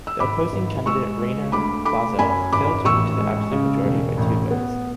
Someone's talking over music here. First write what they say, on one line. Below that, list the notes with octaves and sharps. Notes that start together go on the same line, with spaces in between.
The opposing candidate Rainer Barzel failed to reach the absolute majority by two votes.
E6
G#1 B5 D6
G#1
G#3 C#6 E6
G#3
D2 B5 D6
A3 B5 D6
F#2 G#5 B5
G#1 B5 D6
A1 C#6 E6
G#3
C#3
E1
A1
B3